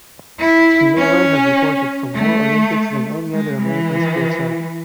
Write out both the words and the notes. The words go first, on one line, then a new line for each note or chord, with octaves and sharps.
He may well have reported from more Olympics than any other American sportswriter.
E4
C#4
A3
G#3
E3